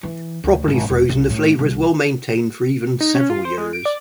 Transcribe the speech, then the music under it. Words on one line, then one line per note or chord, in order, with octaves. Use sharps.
Properly frozen, the flavor is well maintained for even several years.
E3
D2
G#1
E1
C2
A2
C2
D#4
C#4
F4
C5
G#3
D7
D5